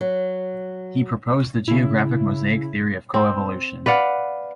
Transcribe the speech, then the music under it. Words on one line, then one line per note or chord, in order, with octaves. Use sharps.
He proposed the geographic mosaic theory of coevolution.
F#3
C#3 E4
C4
B4 D5 F5 F#5